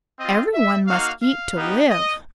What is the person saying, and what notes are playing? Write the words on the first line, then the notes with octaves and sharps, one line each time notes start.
Every one must eat to live.
C4 F4 D#5
E5
A#3 D#4 F#4 F5
F5
B3 D#4 G4
D#5